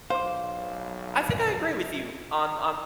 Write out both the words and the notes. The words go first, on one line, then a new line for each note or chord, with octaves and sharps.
I think I agree with you on on
B1 C5 F5 D6